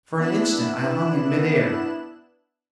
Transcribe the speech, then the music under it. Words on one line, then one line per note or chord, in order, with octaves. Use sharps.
For an instant I hung in mid air.
B3 D4 E4 F#6 E7